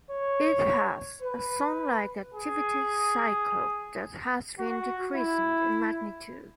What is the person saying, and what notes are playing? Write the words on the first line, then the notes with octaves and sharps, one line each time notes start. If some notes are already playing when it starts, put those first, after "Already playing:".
It has a Sun-like activity cycle that has been decreasing in magnitude.
C#5
B4
G#4
F#4
E4